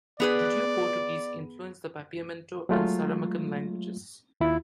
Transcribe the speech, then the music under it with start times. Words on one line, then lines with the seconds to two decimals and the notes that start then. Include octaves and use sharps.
Judeo-Portuguese influenced the Papiamento and Saramaccan languages.
0.20 B3 G#4 B4 D5
2.69 F#3 G#3 A3 F4
4.40 D#2 E4 F4